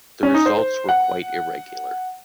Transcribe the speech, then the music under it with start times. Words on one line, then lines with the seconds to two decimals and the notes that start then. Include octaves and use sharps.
The results were quite irregular.
0.23 C#4
0.34 D#4
0.46 C5
0.89 F#5